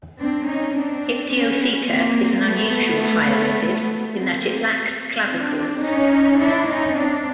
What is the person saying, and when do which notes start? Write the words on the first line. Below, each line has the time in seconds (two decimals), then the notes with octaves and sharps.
"Hyptiotheca" is an unusual hyolithid, in that it lacks clavicles.
0.19 C4 D4
0.47 C#4 D#4
0.75 C4 D4
1.32 B3 C#4
1.88 A#3 C4
2.45 A3 B3
4.14 A#3 C4
5.27 C4 D4
5.84 C#4 D#4
6.40 D4 E4
6.69 C#4 D#4
6.96 C4 D4